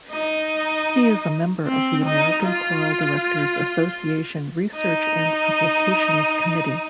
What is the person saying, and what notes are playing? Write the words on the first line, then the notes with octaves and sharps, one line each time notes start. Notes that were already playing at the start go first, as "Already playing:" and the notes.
He is a member of the American Choral Directors Association Research and Publications Committee.
D#4
C4
D#4
F4
D#4